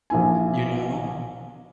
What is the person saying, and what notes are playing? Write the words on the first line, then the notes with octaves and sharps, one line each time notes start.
you know?
A#1 A#2 E4 G#5